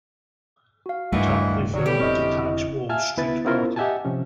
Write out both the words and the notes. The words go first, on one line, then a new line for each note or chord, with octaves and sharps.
Tarpley founded the Tax Wall Street Party.
F#4 F5
D1 C#2 G2 D#3 E3 A3 G#4 F#5
B2 D3 D#3 F#3 D5
G3 C#4 E4 G4 A4 B4
F1 D3 C4 D#5 C#6 F6
E5 F5 G#5 A5 F6
D2 B3 E4 B4 E5 A6
B3 C#4 E4 F4 A#4 C5
G4 D#5 E5 F#5 G#5 A5
C3 F3 C#4